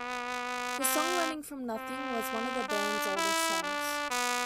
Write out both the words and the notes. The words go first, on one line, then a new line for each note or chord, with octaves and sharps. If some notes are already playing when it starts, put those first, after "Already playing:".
The song "Running From Nothing" was one of the band's oldest songs.
Already playing: B3
C4
C4
D4
E4
D4
B3